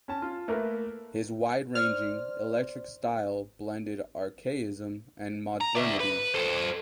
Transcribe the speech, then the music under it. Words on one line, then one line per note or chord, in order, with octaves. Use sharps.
His wide-ranging, eclectic style blended archaism and modernity.
C#4 A5
F4
A3 A#3 A#4 B4
C5 D5 F6
A#5
D5 E5
B4
A4 C5